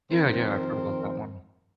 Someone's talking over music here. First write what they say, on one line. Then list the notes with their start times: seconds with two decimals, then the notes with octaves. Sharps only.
Yeah, yeah, I've heard about that one.
0.10 F2 D#3 C4 A#4 C5